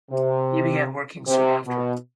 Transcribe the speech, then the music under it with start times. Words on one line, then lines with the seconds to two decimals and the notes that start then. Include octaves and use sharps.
He began working soon after.
0.11 C3
1.27 C3
1.66 B2